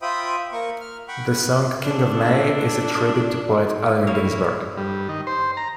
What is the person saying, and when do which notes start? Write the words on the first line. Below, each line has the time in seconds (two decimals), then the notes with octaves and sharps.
The song "King of May" is a tribute to poet Allen Ginsberg.
0.02 F4 C5 E5 G5 B5 D#6
0.52 A#3 A#4 C#6
0.81 F6
1.08 F#5 G5 B5 C#6
1.26 B4
1.85 D4 A4
4.07 D3 A#3 D4 E4 C#5
4.77 G2
5.09 D#3
5.27 C5
5.57 A#5